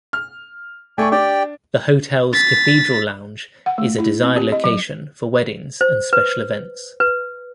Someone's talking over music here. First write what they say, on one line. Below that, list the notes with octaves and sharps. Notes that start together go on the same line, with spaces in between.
The hotel's Cathedral Lounge is a desired location for weddings and special events.
F6
A3 D5 G5 G#5 C#6
D4 G4 D5 G5
A6 B6
F#5
A3
E4
C4
G4
D#5
F#3
C5
B4
B4